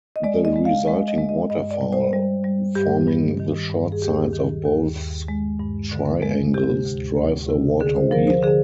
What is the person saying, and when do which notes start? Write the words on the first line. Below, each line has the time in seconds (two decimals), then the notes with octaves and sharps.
The resulting waterfall, forming the short sides of both triangles, drives a water wheel.
0.16 D#5
0.24 G#3 D5
0.45 D#5
0.56 G#3
0.65 F5
0.86 G#3 D#5
1.08 D#5
1.18 G#3
1.29 D#5
1.50 G2 D#5
1.71 D5
1.81 G3
1.93 C5
2.13 G3
2.44 G3
2.75 G2 G4
3.08 G2
3.40 D#3
3.70 G2
3.92 G#4
4.02 D#2 G4
4.33 D#3
4.65 D#2
4.96 D#2
5.28 G#3
5.60 G2
5.91 D3
6.22 G#3
6.54 C3 G4
6.85 D2
7.17 D2
7.49 C3
7.80 D3 G#4
7.96 C5
8.11 F3 A#4
8.27 C5
8.43 D3 G#4